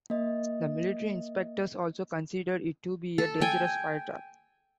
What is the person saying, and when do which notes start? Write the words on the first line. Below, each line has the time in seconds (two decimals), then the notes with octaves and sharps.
The military inspectors also considered it to be a dangerous fire trap.
0.10 A#3 D#5
3.18 A4
3.41 G5 G#5